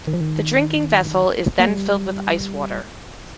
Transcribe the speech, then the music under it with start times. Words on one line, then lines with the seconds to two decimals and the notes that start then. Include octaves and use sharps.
The drinking vessel is then filled with ice water.
0.07 D#3
0.13 F3
0.21 D#3
1.59 A#3
1.67 G3